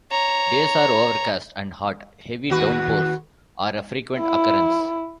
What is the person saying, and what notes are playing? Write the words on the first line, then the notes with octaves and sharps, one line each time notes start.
Days are overcast and hot; heavy downpours are a frequent occurrence.
C#5 A#5
D#2 F#4 B4
E4